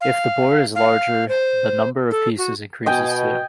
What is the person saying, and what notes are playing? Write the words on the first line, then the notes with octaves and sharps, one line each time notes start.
If the board is larger the number of pieces increases too.
F5
F5
C5
A4
F#4
B2 D#5 G5 G#5